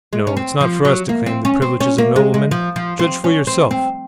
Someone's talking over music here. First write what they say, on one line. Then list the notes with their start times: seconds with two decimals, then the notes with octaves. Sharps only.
No, it's not for us to claim the privileges of noblemen. Judge for yourself.
0.13 G#3
0.27 C#4
0.37 C4
0.61 F3
0.85 F#3
1.09 A#3
1.26 C4
1.45 C#4
1.62 C4
1.80 C#4
1.98 A#3
2.16 G#3
2.34 G#3
2.51 F3
2.76 F3
2.99 C4
3.24 C#4
3.47 C4
3.71 C4